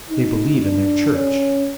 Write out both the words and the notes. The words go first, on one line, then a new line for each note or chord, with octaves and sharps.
They believe in their church.
D#4
D4
C#4